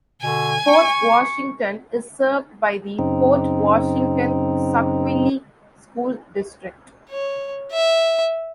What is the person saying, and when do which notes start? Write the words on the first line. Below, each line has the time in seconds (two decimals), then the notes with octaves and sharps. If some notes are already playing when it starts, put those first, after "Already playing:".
Port Washington is served by the Port Washington-Saukville school district.
0.21 B2 D3 G#5
0.66 C#6
2.99 F#2 C#3 C4 D#4
7.10 C#5
7.72 E5